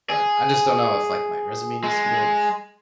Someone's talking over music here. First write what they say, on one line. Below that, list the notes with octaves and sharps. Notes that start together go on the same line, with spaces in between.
but I just don't know if, like, my resume needs to be, like, ch
G#4
G#3